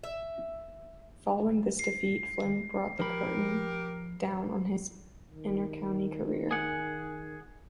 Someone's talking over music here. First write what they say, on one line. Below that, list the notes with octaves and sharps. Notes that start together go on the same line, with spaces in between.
Following this defeat Flynn brought the curtain down on his inter-county career.
E5
F3 G4 A#4 B5
D#3
G#4 F#5